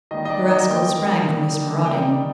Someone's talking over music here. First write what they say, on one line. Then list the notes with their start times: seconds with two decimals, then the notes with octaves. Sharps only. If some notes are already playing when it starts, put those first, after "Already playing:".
The rascal sprang from this marauding.
0.11 D#3 G3 A#3 D#5
0.25 D#5
0.30 D5
0.50 D#5
0.69 D#3 G3 A#3 G5
1.27 D#3 G3 A#3
1.85 D#3 G3 A#3 G5